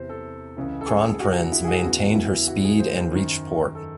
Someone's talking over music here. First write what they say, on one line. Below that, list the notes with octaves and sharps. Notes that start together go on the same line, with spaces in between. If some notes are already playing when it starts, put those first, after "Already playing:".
"Kronprinz" maintained her speed and reached port.
Already playing: E2 C3 E3 C5
A4
C#2 C#3 E3
A4
G#4
F#4
E4
G#4
F#4
E2 C#3 E3
E4
F#4
G#4
C5
F#2 D#3
A4